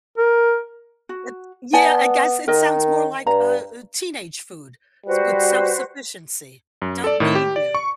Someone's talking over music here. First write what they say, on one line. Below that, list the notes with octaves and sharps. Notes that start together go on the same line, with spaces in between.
it yeah, I guess it sounds more like a a teenage food, s with self-sufficiency. "Don't need you."
A#4
F#4
B3 D5 G#5 A5
D#3 A#4 D#5
G2 A#5
G3 F#4 B4 C5
F#2
A4 D5
A2 D#3
G4
D5
C#6